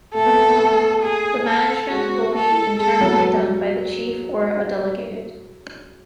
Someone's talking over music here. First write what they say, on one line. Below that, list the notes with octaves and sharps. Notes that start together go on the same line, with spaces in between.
The management will be internally done by the Chief or a delegated.
A3 A4
B3
A3
B3
A3
G#4
A4
G#3 F#4
A4
G#3 A4
F#3